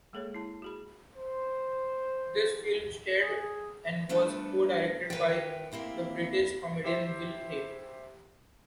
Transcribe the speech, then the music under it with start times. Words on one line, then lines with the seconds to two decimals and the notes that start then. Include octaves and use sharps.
This film starred, and was co-directed by, the British comedian Will Hay.
0.13 G#3 A#3 G#4 A4 C#5
0.34 E4 A5
0.62 F#4 G#4 B5
1.13 C5
3.20 G#4
4.09 G3 A3 B3 D4 A4
5.10 D#3 B4 C#5 E5 F#5 G5
5.72 A#3 C4 E4 G4
6.84 E4 G4 C5 E5 C6